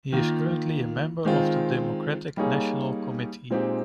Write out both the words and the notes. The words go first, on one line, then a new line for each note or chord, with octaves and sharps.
He is currently a member of the Democratic National Committee.
D#3 A#3 F4
D#3 G#3 C4 F4
G3 A#3 D#4 G#4 C#5
A#2 G#3 C4 D#4 G4